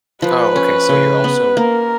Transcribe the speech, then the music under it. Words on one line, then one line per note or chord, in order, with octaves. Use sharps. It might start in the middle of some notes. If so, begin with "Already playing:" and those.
Oh, okay, so you're also
F3 B4
C#4
C#3
B3
A#3 A#4